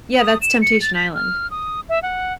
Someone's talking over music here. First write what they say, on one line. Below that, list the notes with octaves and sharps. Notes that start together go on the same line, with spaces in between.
Yeah, that's Temptation Island.
D#6
E7
C#7
A6
B6
F6
D#6
E5
F#5